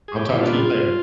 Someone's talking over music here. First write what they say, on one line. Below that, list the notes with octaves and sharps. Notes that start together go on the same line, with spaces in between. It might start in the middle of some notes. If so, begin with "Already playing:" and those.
I'll talk to you later.
G#4
G4
E4
A#2 G3 B3 D4 F4